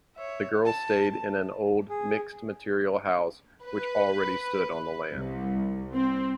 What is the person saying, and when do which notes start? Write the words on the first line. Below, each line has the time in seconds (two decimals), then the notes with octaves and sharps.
The girls stayed in an old mixed-material house which already stood on the land.
0.16 C#5 E5
0.65 A5
1.90 G#4
3.65 B4
5.14 C2
5.95 C4